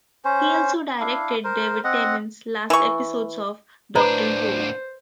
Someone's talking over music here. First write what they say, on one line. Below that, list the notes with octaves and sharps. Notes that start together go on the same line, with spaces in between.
He also directed David Tennant's last episodes of "Doctor Who".
C#4 C5
D4 E4 F5
A#4 C5
C4 D#5 F#5
E3 C#6
A2 D4 B4 C5 D5 A#5 B5